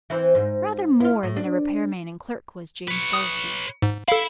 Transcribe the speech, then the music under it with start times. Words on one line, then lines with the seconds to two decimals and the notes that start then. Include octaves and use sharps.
Rather more than a repair man and clerk was James Darcy.
0.10 E3 C4 E4
0.35 G#2
1.00 E4 F4
1.23 A2
1.36 D4
2.88 B4 C#5
3.13 D#6
3.82 G#2
4.08 A4 E5 F5 B5